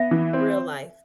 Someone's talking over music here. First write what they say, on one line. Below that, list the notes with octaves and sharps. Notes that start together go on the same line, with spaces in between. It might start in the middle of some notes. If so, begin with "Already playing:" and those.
Real life.
Already playing: B3 E5
E3
C4